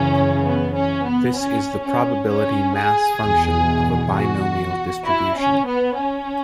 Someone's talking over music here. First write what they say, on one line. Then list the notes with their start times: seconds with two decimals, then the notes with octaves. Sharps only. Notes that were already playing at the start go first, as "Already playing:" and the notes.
This is the probability mass function of a binomial distribution.
Already playing: F#2 C#3 E3 C#4
0.45 B3
0.77 C#4
1.07 B3
1.37 C#4
1.83 C#4
2.30 C#4
2.75 G#4
3.21 E2 B2
4.14 F#4
5.05 E4
5.36 C#4
5.66 B3
5.98 C#4